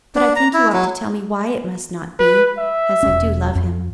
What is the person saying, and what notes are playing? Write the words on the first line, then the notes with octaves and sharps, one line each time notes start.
"But I think you ought to tell me why it must not be,--as I do love him."
D4
A#5
E4
F#3
B4
E5
E1 C#4
F2